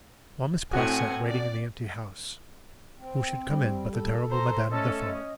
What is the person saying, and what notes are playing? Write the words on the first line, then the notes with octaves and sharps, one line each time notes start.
While Miss Pross sat waiting in the empty house, who should come in but the terrible Madame Defarge!
A2 C4 F#4 F#5 G#5
D5
C4
G3
A4
C5 A#5
A3 C#4 A4 D#5